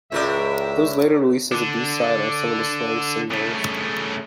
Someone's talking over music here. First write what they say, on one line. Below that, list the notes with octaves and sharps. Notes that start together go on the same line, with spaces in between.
It was later released as a B-side on some of the "Slang" singles.
C#2 A2 A#4 D5 E5
D3 D4
C#3 A3